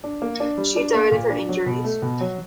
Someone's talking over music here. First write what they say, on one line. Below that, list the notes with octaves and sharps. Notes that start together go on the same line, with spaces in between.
She died of her injuries.
D4
A#3
D4
G3
D4
A#3
A#2
D4
F#3
B2
A3
B2
F#3